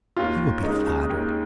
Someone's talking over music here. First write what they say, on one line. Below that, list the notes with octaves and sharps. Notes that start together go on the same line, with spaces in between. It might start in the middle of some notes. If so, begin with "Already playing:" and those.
He will be flattered.
D#2 F4
C#3 G#3 D#4
D#2